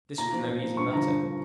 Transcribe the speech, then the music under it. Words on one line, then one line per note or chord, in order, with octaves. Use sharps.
This was no easy matter.
A#2 A#5
F3
A#2
F3
G2 C#6
D3 F3 A#5
G2
D3 F3